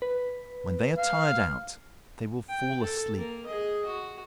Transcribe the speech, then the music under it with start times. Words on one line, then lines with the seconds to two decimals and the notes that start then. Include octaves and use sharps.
When they are tired out, they will fall asleep.
0.02 B4
0.98 F5
2.49 G5
2.83 A4
3.17 A#3 A#4
3.46 G#4 D#5
3.86 F#4